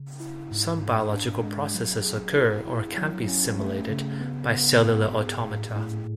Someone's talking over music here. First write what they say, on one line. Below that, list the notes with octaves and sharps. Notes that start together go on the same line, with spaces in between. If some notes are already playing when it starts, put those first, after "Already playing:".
Some biological processes occur-or can be simulated-by cellular automata.
Already playing: C#3
E4
G#2
G#2
D4
G#3
F#3
G#4
E4
E4
F#3
C#4
A3
C#3
B3
B3
G#2
G#4
A2
A2